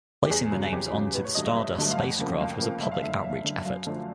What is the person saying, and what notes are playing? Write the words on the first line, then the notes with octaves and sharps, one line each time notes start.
Placing the names onto the Stardust spacecraft was a public outreach effort.
G4
E2 G#4
C#3 F#3
E2 G4
C#3 F#3
A1 B4
C#5
G2 D3 F#3 A3 D#5
D#5
A1 E5
G2 D3 F#3 A3
F5
F2 F#5
C#3 F3 A#3
F2 F5
C#3 F3 A#3
F#1 E5
F5
F#2 D3 E5
F#1 E5
F#2 D3
F#2 F5
D3 F3 A3